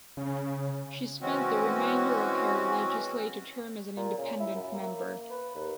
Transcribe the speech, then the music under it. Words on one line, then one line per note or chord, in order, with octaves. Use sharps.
She spent the remainder of her legislative term as an independent member.
C#3
E3 G#3 C4 C#4 F#4
A#2
C#3
E4
F#2
A#3
B4
D#2